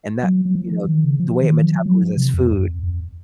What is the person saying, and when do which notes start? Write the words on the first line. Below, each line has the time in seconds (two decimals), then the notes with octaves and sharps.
and that you know, the way it metabolizes food,
0.23 F#3
0.45 F#3
0.55 F3
0.72 F3
0.88 D#3
1.04 C#3
1.20 F3
1.42 D#3
1.63 F3
1.75 F3
1.86 F#3
2.01 F3
2.17 C3
2.34 F2
2.51 F#2
2.66 F2
2.83 F2